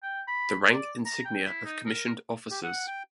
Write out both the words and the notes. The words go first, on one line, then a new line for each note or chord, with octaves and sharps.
The rank insignia of commissioned officers.
G5
B5
D5
A#5
G5
E4
D#4
A#4
G4
F#5
G5